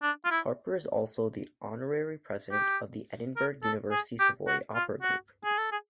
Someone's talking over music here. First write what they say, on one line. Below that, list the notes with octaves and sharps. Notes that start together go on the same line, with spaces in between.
Harper is also the Honorary President of the Edinburgh University Savoy Opera Group.
D4
F4
E4
G4
A#4
A4
G#4
G4
F#4
F4
F#4
G#4
A4
G#4